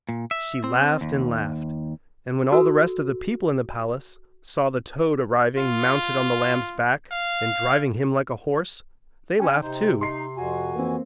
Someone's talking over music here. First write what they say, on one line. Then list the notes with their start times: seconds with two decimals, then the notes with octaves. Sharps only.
She laughed and laughed, and when all the rest of the people in the palace saw the toad arriving mounted on the lamb's back and driving him like a horse they laughed too.
0.09 A#2
0.31 E5
0.64 C4
1.01 D#2
2.52 F#4 A4 E6
5.57 F4
7.12 F5
9.40 C#4 G5
9.62 C3 D#4 C5
10.01 D#4 C6 C7
10.37 F2 F#4 G#5
10.75 E3 A#3 C4